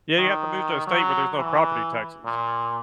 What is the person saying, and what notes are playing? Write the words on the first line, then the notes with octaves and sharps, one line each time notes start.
Yeah, you have to move to a state where there's no property taxes.
D#3
F#3
E3
A#2